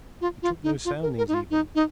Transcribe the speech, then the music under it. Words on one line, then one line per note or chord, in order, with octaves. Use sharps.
You took no soundings even.
F4
F4
D#4
F4
A#4
A#4
D#4
F4
D#4
D#4